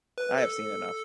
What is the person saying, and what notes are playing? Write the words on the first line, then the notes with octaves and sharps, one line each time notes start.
I have seen enough.
B4
A4